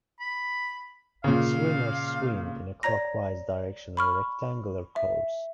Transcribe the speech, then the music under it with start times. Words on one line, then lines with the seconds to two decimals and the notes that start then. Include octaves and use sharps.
Swimmers swim in a clockwise direction on a rectangular course.
0.20 B5
1.24 A#2 C#3 F5
2.83 C#5 D5 A#5 A#6
3.97 B5 C#6 F6
4.96 E5